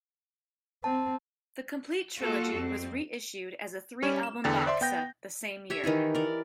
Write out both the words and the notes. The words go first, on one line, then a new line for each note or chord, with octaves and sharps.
The complete trilogy was reissued as a three album box set the same year.
C4 A5
A#3 F4 F#4 A4
F2 C4
G3 C#4 C#5
E7
E2 D3 G5 A6
C5 D5 E5 C6
B3 G5 G6 A#6
G4 C#5 E5
D#3 E3 D#4 E4
A#4 D5